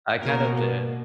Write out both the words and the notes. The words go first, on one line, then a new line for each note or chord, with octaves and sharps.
I kind of d
B2 A#3 A#4